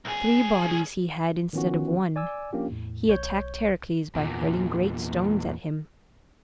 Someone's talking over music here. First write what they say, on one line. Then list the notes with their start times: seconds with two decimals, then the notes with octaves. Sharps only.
Three bodies he had instead of one; he attacked Heracles by hurling great stones at him.
0.05 C2 G#4
1.53 D#3 F3 B3 C#4 F4 F#4
2.16 D5 G#5 D6 E6
2.53 F3 A#3 C#4 D4 F4 G4
2.70 E2 A2
3.08 B1 C#5 G6
4.15 E2 A#2